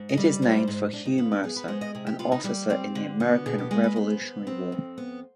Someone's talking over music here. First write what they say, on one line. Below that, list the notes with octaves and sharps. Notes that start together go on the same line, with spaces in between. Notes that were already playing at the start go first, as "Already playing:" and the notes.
It is named for Hugh Mercer, an officer in the American Revolutionary War.
Already playing: G#2
D#5
G3
D5
G#2 C5
G#2
G#2 D4
D#4
B3 F4
G4
B3 G#4
B4
G#3 C5
D#5
C3 G#4
G4
B3 F4
D#4
G3 G4
C4
D3
B3
B2 G#4
G4
G#3 G#4
B4
B3 C5
B3
C4
F2
B3